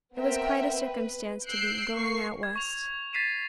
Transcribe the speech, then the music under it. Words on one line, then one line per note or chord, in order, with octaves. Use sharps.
It was quite a circumstance to be "going out West."
B3 C4 A#4 E5 G5
B4
E6 F#6 G6 C7 D7
A#3 C#6 C7
G#6
C#6 F7
A6 B6 C7 D#7 E7